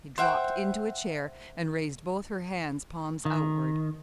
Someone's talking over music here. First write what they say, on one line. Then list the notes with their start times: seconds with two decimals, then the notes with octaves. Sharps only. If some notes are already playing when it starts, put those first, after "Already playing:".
She dropped into a chair and raised both her hands, palms outward.
0.18 C5 E5 F#5 G5
3.25 D#3